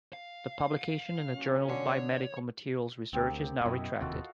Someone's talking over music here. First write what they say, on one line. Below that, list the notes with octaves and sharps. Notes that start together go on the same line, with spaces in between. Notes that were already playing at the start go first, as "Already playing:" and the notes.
The publication in the Journal of Biomedical Materials Research is now retracted.
F5
A#2 F#3 C#4
D3 C#5
D2 C4 G4 A#4
F#2 B2 E4 D#5 C#6
E1 D#2 C3 F4 F#4 A4